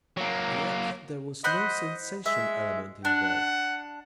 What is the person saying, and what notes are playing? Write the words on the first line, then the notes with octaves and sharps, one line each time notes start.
Yet there was no sensation element involved.
F#3 A#3
C5 D#5 F#5 B5
G#3 E5
D4 F#5